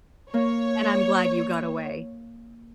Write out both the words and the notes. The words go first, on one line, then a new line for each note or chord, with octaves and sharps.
And I'm glad you got away.
A#3 C#5